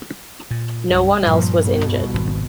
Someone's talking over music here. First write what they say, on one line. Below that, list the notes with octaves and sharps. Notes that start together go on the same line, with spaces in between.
No one else was injured.
A#2
C2 G2
G2 A#2 F3 G3
C2 F2 B2
G#1